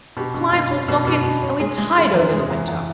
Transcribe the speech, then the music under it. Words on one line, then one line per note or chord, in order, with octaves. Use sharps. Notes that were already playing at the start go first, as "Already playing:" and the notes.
Clients will flock in; and we tide over the winter.
B2 G4
B2
B2
C#4
B2
B2
B2
C#4
G#3 G#4
G#3
D#3 G#4
E2 A#4
G#3 G#4
E2
G#4
E2